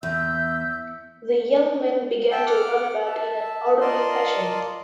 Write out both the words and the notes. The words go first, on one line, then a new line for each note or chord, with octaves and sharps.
The young men began to run about in an orderly fashion.
E2 E5 E6 G6
E5 G5 A5
F#5 D6 F6
E5 A5
F4 A#4 D5 D#5 A5 C6